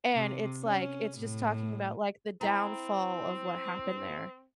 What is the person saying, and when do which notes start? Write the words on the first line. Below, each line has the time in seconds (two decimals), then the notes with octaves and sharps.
And it's, like it's just talking about, like, the downfall of what happened there.
0.14 C3
0.64 C#4
1.19 A2
2.41 C4 E4 G5 A#5